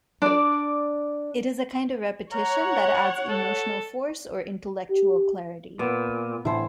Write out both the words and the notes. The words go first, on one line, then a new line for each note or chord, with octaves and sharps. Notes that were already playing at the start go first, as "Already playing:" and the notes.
It is a kind of repetition that adds emotional force or intellectual clarity.
D4 D5
C#5 F#5 A#5
A4
G4
A#2 B3
A1 D3 E4 C5